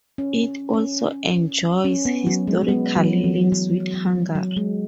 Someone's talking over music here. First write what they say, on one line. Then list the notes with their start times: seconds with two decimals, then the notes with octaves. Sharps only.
It also enjoys historical links with Hungary.
0.18 C#4
0.73 C#4
1.85 C#4
2.05 B3
2.27 F#3
2.47 G#3
2.68 B3
2.96 F#3
3.24 E3
3.52 F#3
3.93 F#3
4.35 F#3
4.57 G#3